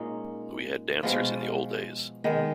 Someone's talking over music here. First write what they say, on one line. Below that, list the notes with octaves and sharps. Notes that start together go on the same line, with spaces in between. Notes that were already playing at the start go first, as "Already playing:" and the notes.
We had dancers in the old days.
Already playing: A#2 G#3 C#4 D#4
B2 F3 G#3 B3 F4
D#3 G#3 B3